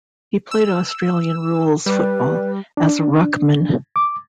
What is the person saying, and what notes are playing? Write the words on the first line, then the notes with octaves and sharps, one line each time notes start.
He played Australian rules football, as a ruckman.
E6
G3 B4
D4
D6